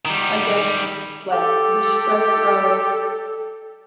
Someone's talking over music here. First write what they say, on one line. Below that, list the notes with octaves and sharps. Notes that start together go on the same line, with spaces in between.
I guess, like the stress of
D#3 G3
G4 A4